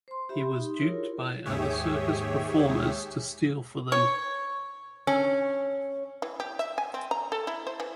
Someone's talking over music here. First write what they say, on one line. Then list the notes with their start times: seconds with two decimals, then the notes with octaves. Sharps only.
He was duped by other circus performers to steal for them.
0.08 C5 C6
0.29 G4 E5 B5 C6
0.57 D#4
0.80 E4 F4 G#4 A#4 C#5
1.45 D#2 G#2 G4 G#4 C#5 E5
3.92 C#5
5.07 C#4
6.22 E3
6.40 G4
6.59 E5
6.78 G#5
6.94 C4
7.11 A#5
7.32 A4
7.47 E4
7.67 C5
7.80 E3